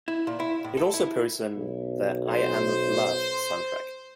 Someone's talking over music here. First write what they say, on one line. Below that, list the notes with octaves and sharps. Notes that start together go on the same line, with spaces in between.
It also appears in the I Am Love soundtrack.
E4
A#2
E4
A2
A4
E4
B1
C5